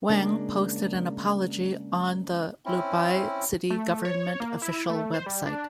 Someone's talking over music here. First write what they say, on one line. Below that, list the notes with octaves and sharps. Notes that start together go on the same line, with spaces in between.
Wang posted an apology on the Luobei city government official website.
C#3 G#3 A#3 D4
C4 C#4 E4
A3
C#5
A#3
E4
A3
C5
G3
D4